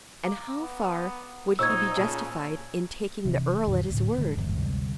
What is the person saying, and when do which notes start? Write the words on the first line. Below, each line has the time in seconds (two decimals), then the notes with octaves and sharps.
And how far would he be justified in taking the earl at his word?
0.23 F5 A#5 D6
0.59 B3
1.59 A#2 D#4 C5 C#6 E6 G#6
1.96 A#2 C#3 A5 A#5
3.25 C3 E3
3.67 E2 A2 D3 D#3
3.90 D2 A2
4.18 D3 D#3 F#3 G#3
4.37 G1 E2 G2
4.56 D2 C3 G3